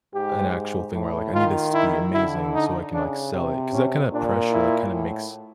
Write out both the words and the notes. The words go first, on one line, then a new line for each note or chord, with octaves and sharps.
an actual thing where, like, "I need this to be amazing so I can, like, sell it." 'Cause that kind of pressure, like, kinda makes
G#2 G4
A2
D#3 F4
E4
D3 E4
D#4
C#3 D4
C3
C#4
A#2 D4
E4
A2